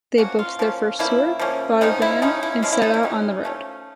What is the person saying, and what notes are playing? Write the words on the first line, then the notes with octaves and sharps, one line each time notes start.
They booked their first tour, bought a van, and set out on the road.
F3 A#3 C#4 F#4
F4
F3 A#3 C#4
F3 A#3 C#4 E4
F3 A#3 C#4
C3 F3 G#3 C#4 D#4
E4
C3 F3 G#3 C#4 D#4
E4
C3 F3 G#3 C#4 F4
E4
D#4
E4
C3 F3 G#3 C#4 D#4
F3 A3 C#4